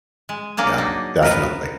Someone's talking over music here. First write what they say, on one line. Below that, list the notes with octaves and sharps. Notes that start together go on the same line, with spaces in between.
Yeah, definitely.
G#3
F#3 A#3 D4 G#4
D4 D#4
A#4 B4 A5